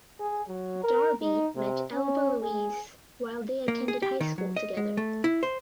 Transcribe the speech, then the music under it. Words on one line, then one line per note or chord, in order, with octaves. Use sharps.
Darby met Elva Louise while they attended high school together.
G#4
F#3
A#4
D#4
C3
C#4
G#4
A#3
G#4
G4
D#3
F#3
D#5
G#3
A3
E4
C5